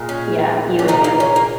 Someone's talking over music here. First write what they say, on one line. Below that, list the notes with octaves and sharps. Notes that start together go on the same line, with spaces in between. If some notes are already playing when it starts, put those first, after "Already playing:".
Yeah, you and you.
Already playing: A#2 G#3
C#4
C#4
A#3 D#4
A#3
C#4
A#3